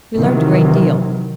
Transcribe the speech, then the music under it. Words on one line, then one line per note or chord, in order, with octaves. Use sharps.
We learned a great deal.
C3 D#3 E3 F#3